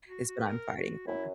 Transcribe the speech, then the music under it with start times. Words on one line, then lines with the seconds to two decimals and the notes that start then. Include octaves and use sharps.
is what I'm fighting for.
0.08 F#4
0.28 F#4
0.40 B4
0.48 A#4
0.77 F#4
1.07 F#2 E4